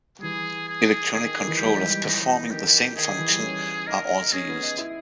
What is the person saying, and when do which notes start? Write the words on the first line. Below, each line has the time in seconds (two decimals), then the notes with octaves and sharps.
Electronic controllers performing the same function are also used.
0.19 G3
0.23 E3 G#4
0.68 G#4
1.14 D#3 G#4
1.37 D#3
1.48 E3
1.59 G3 G4
1.74 G#3
1.90 G3
2.05 E3 D#4
2.51 D#3 G4
2.96 D#3 G#4
3.08 D#3
3.19 E3
3.30 G3
3.42 C#4
3.87 D#4 A#4
4.33 C#4 G#4
4.48 B3
4.63 D#4
4.78 E4